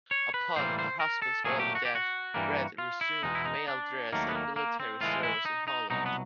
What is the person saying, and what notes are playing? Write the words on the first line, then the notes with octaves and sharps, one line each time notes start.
Upon her husband's early death, Read resumed male dress and military service in Holland.
C#5
B4
A2 E3 G3 A#3 C5
C5
A#4
A4
A#2 F#3 A3 G#4
G4
F#4
G4
F#4
G2 E3 G3 A#3
F4
E4
E2 B2 G#3 D#4
E4
D#4
D4
D#2 D#3 F#3 A3 A#3
B3
A#3
A#3
C4
A2 E3 G#3 F4
E4
D#4
D#4
C2 B2 F#3 D#4
B3